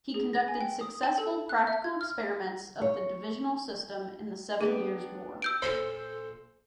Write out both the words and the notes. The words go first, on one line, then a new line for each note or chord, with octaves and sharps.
He conducted successful practical experiments of the divisional system in the Seven Years' War.
G#4
A#6
G#5
G5
D#6
A5
A4
F#6
E5
G#6
F6
C#5
B3 D4 G4 G#4
E6 G6 D7
A#2 A4 C5